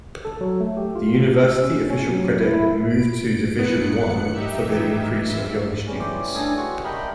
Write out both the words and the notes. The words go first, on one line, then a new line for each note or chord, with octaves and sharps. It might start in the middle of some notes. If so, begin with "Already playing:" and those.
The university official credit "move to Division One" for the increase of younger students.
A4
F#3
A3
G4
F4
E6
C#4
C#4
F#3
E4
E4
D7
F#2 B3 F#6 C#7
D#4 G4 E5
E3
F2 E5
E3 G3 A3 C#4 G#4
C5 D6
A3 D4 G#4 A4 G#5
F#4 G#5 C6 C#6
G3 A3 A#4 D#5 G5 B5